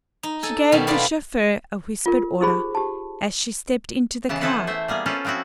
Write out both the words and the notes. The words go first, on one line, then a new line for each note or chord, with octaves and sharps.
She gave the chauffeur a whispered order as she stepped into the car.
D#4
A4 G#5
B2 D#3 G3 C#4
G3 B3 D4 E4 F4 D5
F4 A#4
D#4 G4 G#4 C5 B5
G4 A5
C#3 E3 B3 A5
B3 E4 A4 B4 C5 F#5
A3 C5 E5
G3 A#3 B3 G#4
C#4 F4 A4 B4 C5
F3 B3 C4 E4 F#4